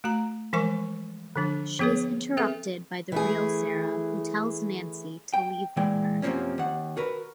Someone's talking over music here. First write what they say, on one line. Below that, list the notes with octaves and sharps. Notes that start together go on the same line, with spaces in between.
She is interrupted by the real Sarah who tells Nancy to leave with her.
A3 F#4 A#5
E3 F3 G#3 A#4 G#5 C#6
D3 F3 D4
F3 B3 G#4 B4 C#5
C4 G#4 A4 B4 E5
E3 A3 G#4
G5
A#2 E3 G#3 G5
F#2 C3 E3 F3 A#3 C#4
D#2 F#5
F#4 A#4 B4